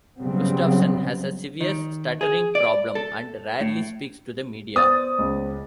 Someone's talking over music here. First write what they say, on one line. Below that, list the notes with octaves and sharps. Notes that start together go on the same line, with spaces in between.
Gustafson has a severe stuttering problem and rarely speaks to the media.
C#3 F#3 G3 B3 C4
D#3
G#4
D5
A4
A2
B3 C5 D5 D#6 A6
C#2